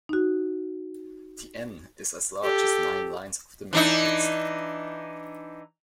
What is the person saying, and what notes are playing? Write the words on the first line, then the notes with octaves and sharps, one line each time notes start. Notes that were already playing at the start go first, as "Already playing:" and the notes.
The N is as large as nine lines of the main text.
D#4 F#4
G4 A4
E3 D4 D#4